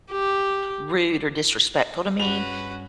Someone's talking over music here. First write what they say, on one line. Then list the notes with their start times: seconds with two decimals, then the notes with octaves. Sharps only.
rude or disrespectful to me,
0.11 G4
2.20 G2 C#4 F#4 G#4 B4 F7